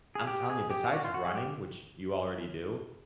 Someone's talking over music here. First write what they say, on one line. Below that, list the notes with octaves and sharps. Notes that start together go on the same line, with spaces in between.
I'm telling you, besides running, which you already do,
G#4
G4
G#4
G4
F#4
F4
F#4
G#4
G4